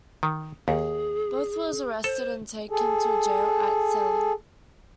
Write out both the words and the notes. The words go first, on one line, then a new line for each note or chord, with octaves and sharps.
Bothe was arrested and taken to a jail at Celle.
D#3
D#2 G#4
A4 C5
G#4 A4